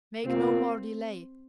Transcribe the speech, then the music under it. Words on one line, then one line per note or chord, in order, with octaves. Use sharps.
Make no more delay!
C3 A#3 C4 F4 A#4